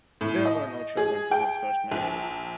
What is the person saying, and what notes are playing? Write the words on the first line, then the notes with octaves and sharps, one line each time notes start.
There were no children from his first marriage.
A2
D#5
G#4
G5
A#1